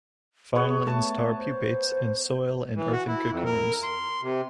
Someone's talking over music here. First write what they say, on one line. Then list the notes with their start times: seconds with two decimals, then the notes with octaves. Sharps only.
Final instar pupates in soil in earthen cocoons.
0.55 B3 G#4 C#5
0.87 A3 A5
1.38 C5
2.76 E3
2.92 F#4
3.07 E4
3.31 F2
3.46 A#4
3.83 C6
4.22 C3